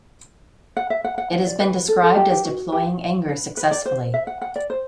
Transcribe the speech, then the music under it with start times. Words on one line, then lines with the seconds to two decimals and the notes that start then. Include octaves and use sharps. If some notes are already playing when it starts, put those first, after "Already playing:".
It has been described as deploying anger successfully.
0.77 F#5
0.90 E5
1.04 F#5
1.18 F#5
1.32 F#5
1.47 D5
1.61 B4
1.88 A4
2.03 A4
2.16 G4
2.31 G4
2.45 F#4
2.72 G4
3.29 B4
3.57 B4
3.71 D5
3.86 C5
4.14 E5
4.27 F#5
4.42 F#5
4.56 D5
4.70 C5